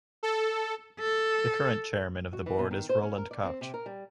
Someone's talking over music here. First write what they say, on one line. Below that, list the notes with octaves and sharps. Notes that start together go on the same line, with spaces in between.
The current chairman of the board is Roland Koch.
A4
A4
F#4
E3
B2
D#3
C5
C#4
A#4
D5
C4
C3
A#4
G3